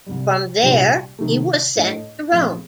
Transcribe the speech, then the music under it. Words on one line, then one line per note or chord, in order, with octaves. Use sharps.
From there he was sent to Rome.
C2 C3 G3
C2 A#2 G3 D4 G4
C3 D#3 A3
A2 A3 D4 A4 D#5
A#1 A#2 A3 C4